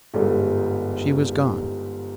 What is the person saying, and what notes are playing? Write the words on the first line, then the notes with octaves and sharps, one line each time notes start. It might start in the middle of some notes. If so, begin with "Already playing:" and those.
She was gone.
G1 G#2 G3